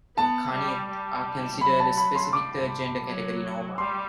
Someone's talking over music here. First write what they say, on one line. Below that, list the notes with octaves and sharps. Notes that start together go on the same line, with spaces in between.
The "khanith" are considered a specific third gender category in Oman.
B3 A5
G3
G3
F#3 B5
A5
B5
C6
G3 D6
F#3
G3 C6